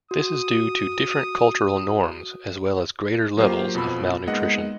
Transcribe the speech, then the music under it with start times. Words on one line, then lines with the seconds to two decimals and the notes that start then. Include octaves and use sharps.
This is due to different cultural norms as well as greater levels of malnutrition.
0.11 F#4 D#6
3.37 F#3 A#3 F4 G4 C5
3.75 F2 B2 F4 B5 E6
4.27 G#3 A#3 B3 D#4 D#5 F#5